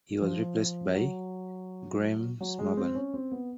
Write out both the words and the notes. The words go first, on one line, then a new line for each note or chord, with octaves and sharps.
He was replaced by Graeme Smorgon.
F3
G3
F#3
F#3
G#3
C4
C#4
C4
B3